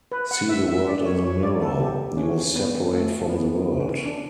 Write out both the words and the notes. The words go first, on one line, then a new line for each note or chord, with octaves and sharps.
See the world in the mirror, you're separate from the world.
B4
F#5
E5
E5
D5
C#5
C#5
D5
A4
G4
C#4
B3
A3
B3
B3
C#4
D4